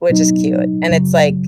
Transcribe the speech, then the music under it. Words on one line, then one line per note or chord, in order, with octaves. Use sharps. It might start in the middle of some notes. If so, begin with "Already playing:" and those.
which is cute, and it's, like,
B2 F#3 D#4
F#2 C#3 F#3